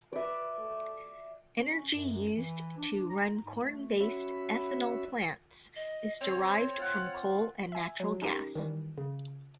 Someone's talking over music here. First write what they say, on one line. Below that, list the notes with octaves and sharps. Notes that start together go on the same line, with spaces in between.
Energy used to run corn-based ethanol plants is derived from coal and natural gas.
B4 D5 E5
A3
C#4
F#2
E3
D4
D4
A#5
G#2
A3
C#4 F#4 C#5 E5 B5
D#5
C4 C#5
F4 F#5
E5 G#5
F#3
C#4 D#4 G4 A#4
D#3 E3 G3
C#3